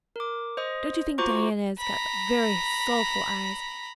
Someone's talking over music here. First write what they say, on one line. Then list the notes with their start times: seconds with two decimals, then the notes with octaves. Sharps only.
Don't you think Diana has got very soulful eyes?
0.16 A#4 D6
0.57 C5 D#5 D#6
1.18 F4 F#4 C5 A#5 C#6 D6
1.79 A#5 B5